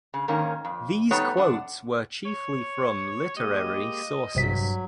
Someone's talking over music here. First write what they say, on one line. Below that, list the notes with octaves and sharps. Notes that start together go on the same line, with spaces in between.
These quotes were chiefly from literary sources.
C#3
G#2 D#3 A#3 C#4
F2
G3 A3 B3 D#4 B4 C#5
F#2 D4 F#5
C#5
G#3 A#3 G4 D#5
A#1 G2 C3 F#3 B6